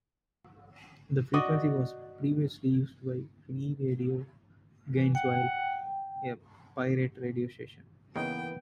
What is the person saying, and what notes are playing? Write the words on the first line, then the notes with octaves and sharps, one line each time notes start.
The frequency was previously used by "Free Radio Gainesville", a pirate radio station.
F#4 D5 D#5
E3
F#5 G5
C#3 E3 G#3 A#3 B3 D#4 G5